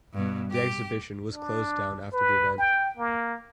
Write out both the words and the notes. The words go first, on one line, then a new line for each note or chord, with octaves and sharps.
The exhibition was closed down after the event.
G2 B2
G4
D4
B4
G5
A#3